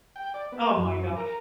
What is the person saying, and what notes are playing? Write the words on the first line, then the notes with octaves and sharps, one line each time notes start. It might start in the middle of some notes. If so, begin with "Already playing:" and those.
Oh my gosh.
G5
D5
B3
F#2
A#4